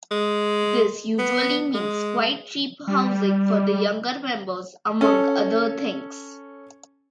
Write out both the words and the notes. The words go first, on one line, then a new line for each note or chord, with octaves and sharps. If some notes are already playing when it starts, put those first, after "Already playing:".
This usually means quite cheap housing for the younger members among other things.
G#3
B3
G#3
G3
C#4 A4